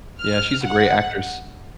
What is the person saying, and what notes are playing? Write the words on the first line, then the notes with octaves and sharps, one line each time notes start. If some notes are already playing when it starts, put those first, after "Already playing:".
Yeah, she's a great actress.
F6
F#5